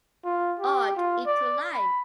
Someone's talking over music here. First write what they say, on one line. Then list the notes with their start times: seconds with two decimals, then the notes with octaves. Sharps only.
Art into life!
0.25 F4
0.60 G4
0.97 F4
1.26 D5
1.74 B5